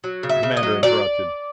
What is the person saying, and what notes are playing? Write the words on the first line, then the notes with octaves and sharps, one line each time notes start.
The commander interrupted.
F#3
C#3
E5
C#3
D#5
F#3
F#3 D5